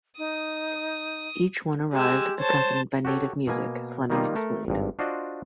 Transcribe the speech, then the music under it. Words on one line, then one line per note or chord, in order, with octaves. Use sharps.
Each one arrived accompanied by native music, Fleming explained.
D#4 D#6
G#3 G4 E6
C5 C#5 A5
F#4 G4 A4 C#5
B2 A#3 G#5
D#3 G3 A#3 D#4 F4
A3 A4 A#4
G#1 G2
D4 F4 F#4 C5 D5 D#5